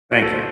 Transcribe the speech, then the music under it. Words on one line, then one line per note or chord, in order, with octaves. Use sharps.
Thank you.
F#4
A4
C5